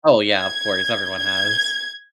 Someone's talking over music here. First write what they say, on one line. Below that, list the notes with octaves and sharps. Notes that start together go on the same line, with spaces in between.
Oh, yeah, of course. Everyone has.
G#6
G#6